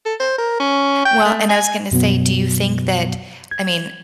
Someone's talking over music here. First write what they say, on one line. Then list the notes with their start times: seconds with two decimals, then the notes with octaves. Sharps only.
Well and I was gonna say, do you think that, I mean,
0.05 A4
0.20 C5
0.38 A#4
0.60 C#4
1.05 G5
1.25 A3
1.49 G#5
1.92 F#2 B2 F#3 B3
3.51 G#6